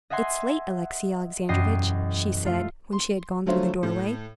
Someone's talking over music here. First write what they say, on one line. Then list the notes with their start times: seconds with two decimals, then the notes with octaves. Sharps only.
"It's late, Alexey Alexandrovitch," she said, when she had gone through the doorway.
0.10 D#5 E5 F#5 G#5 C6
1.49 E1 F#2 G4 D#5 G5 C7
2.45 A3 F4
2.93 C6
3.46 D3 F#3 A3 F4 C5 C#5
3.83 A2